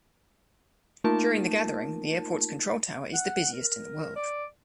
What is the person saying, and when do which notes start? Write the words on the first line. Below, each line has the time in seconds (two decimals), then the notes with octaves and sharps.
During the gathering, the airport's control tower is the busiest in the world.
1.04 A3 A#3 D#4 F4 A#4 A5
3.14 F#5
3.53 A#4
4.16 D5